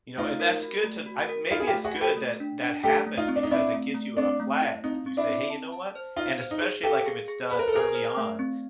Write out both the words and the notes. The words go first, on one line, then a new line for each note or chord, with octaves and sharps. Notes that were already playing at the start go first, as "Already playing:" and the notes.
you know, and that's good to I maybe it's good that that happens because it gives you a flag. You say, "Hey, you know what?" And especially, like, if it's done early on,
A3 D#4 F4
A#4
F#4
A3
F#4
A#4
D#4 F4 F#4
G#4
F4 G4
A3
F#4 G#4
F#4
G4 A4
A3
D4
D4
A3 G4 A4
A3
D#4 F4
C4
D4
D#4
C4 D4 E4
A3
A3
C4 D4
A3
E4
C4 D#4
C4
D4 E4
C4
A5
A5
C5
D#4 F4 F5
C5
D#4
G#4
G4 A4 F5
G#4
G#4
B4 C5
A#4
A4
G#4 A#4 C5
C5
A3
C4